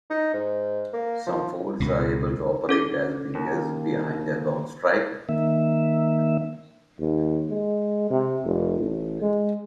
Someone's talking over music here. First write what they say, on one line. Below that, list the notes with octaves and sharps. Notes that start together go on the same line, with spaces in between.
Some forwards are able to operate as wingers behind a lone striker.
D#4
G#2
A#3
F3
C#2 B2
C#4 A4 D6
D#2
D#3 A#3 E5
D#2
G#3
C3
F1
A1
G#3